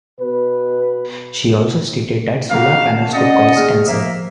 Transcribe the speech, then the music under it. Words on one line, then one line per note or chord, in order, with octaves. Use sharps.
She also stated that solar panels could cause cancer.
B2 B4
C#3 A#3 F#4 F5
A5
C#4 D5 D#5 F#5
D#2 G#4 F6
F3 A#3 E5